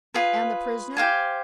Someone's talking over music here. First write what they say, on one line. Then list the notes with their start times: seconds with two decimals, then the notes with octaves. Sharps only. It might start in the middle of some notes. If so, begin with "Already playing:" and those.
"And the prisoner?"
0.14 F4 G#4 B4
0.97 G4 C5 F5 G#5